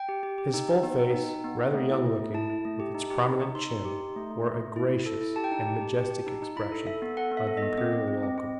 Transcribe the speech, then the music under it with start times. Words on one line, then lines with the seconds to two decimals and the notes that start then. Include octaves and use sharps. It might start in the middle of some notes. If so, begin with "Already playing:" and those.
His full face, rather young-looking, with its prominent chin, wore a gracious and majestic expression of imperial welcome.
Already playing: G5
0.09 G4
0.23 G4
0.38 G4
0.54 D#4
0.68 D#4
0.83 B3
0.99 D#4
1.14 D#4
1.29 D#4
1.44 B3
1.59 B3
1.74 A3
1.89 E4
2.04 A3
2.19 A3
2.34 E4 A5
2.50 E4
2.65 A3
2.80 G4
2.95 D#4
3.10 G4
3.25 D#4
3.40 D#4
3.55 D#4 C6
3.70 D#4
3.85 G4
4.00 D#4
4.16 A3
4.30 A3
4.46 A3
4.61 A3
4.76 E4
4.91 E4
5.06 A4
5.21 E4
5.36 G4 A5
5.44 G5
5.51 D#4 A5
5.66 G4
5.81 G4
5.96 G4
6.11 G4
6.27 D#4
6.42 D#4
6.56 E4 B5
6.72 A4
6.86 A4 E5
7.02 B3
7.17 A4 F#5
7.32 B3
7.37 E5
7.47 A4
7.57 B3 D#5
7.78 C4 D#5
7.93 C4
8.08 C4
8.23 C4
8.38 C4